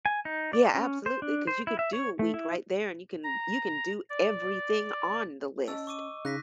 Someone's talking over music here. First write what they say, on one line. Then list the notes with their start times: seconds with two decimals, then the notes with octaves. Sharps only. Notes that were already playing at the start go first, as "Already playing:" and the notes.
Yeah, absolutely, 'cause you could do a week right there, and you can you can do everything on the list
0.06 G#5
0.25 D#4
0.53 D5
0.74 C#4
1.06 C5
1.22 D4
1.47 C5
1.67 E4
1.79 E5
1.93 C#5
2.19 A3
2.34 E4
3.23 A#5
4.10 D5
5.68 C#4 D#5 A5 E6
5.87 C#6 D6 D#7
6.25 C#3 D#4 F#6 A#6 B6